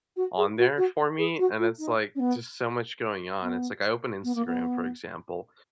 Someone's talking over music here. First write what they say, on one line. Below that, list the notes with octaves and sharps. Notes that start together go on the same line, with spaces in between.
on there for me and it's like just so much going on and it's like I open Instagram for example,
F#4
G#4
F#4
F#4
G#4
F#4
F4
D#4
C#4
B3
B3
B3
A#3
B3